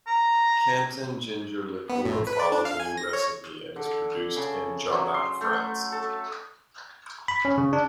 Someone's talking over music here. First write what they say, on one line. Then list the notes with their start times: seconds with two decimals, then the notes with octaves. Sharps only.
Canton Ginger Liqueur follows a new recipe and is produced in Jarnac, France.
0.07 A#5
1.90 B3
2.05 A2
2.27 B4
2.40 D5
2.52 D4
2.65 F5
2.80 G#5
2.97 A#6
3.13 C#5
3.76 D3
4.36 C#3
4.90 F#3
5.14 C6
5.41 A3
5.92 A4
7.28 B5
7.45 C#4
7.58 C#3
7.73 D4